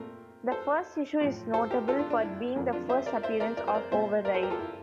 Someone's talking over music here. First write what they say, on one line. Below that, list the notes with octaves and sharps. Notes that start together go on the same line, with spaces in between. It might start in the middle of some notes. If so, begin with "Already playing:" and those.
The first issue is notable for being the first appearance of Override.
Already playing: A#2 A3 C4 A#4
A4 C5
A2 F3 C4
A4 C5
G4 A#4
F4 A4
D4 F4
D4
E4
F2 D3 F3 A#3
D4 F4
C5 E5
A#4 D5
C5 E5
A#4 D5
A#4 D5
C5
A#4 D5
A#2 G3 C4 C5 E5
A#4 D5
A4 C5
G4 A#4
F4 A4
E4